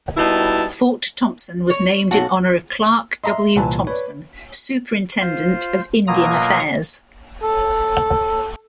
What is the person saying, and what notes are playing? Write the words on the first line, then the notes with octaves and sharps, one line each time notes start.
Fort Thompson was named in honor of Clark W. Thompson, Superintendent of Indian Affairs.
B2 G3 D#4 E4 A5
C#5
B1 C#4 F#4 A5
D#5 E5 A#5 C6
C2 A#2 E3 B4 G#5 A5
B4 C#5 D5
F4 C5
B2 F#3 A#3 F4 A#5 D#6
A4